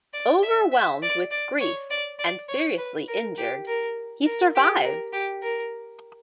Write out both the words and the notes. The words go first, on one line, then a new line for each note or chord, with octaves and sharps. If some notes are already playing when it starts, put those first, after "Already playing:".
Overwhelmed with grief and seriously inured, he survives.
D5
E5
E5
D5
D5
C#5
D5
D5
C#5
B4
A#4
G4
A#4
A#4
G4
A#4
G4
A#4